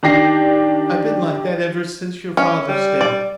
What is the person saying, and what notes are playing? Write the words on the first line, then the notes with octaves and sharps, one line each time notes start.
I've been like that ever since your father's death.
D#3 D4 G4 A#6 C7
C#4
G3
D5